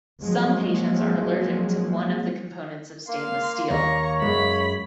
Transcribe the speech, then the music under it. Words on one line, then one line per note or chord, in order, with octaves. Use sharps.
Some patients are allergic to one of the components of stainless steel.
F3 F#3 G#3 A#3 C4
A#3 F5 C6
D#2 C#5 A#5 C#6
F#2 G#3 B5